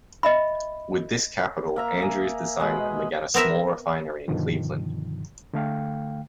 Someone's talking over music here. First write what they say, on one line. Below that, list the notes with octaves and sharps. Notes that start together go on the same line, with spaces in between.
With this capital, Andrews designed and began a small refinery in Cleveland.
D#5 E5 B5
A#3 E5 A#5
G#4
B2 G#3 D#5 B5
B3 C4 A#4 E5
G2 B2 D3 D#3 F3
D3 A3 F5 G5